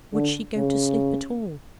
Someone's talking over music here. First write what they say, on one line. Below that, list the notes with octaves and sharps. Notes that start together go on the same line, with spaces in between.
Would she go to sleep at all?
D3
C#3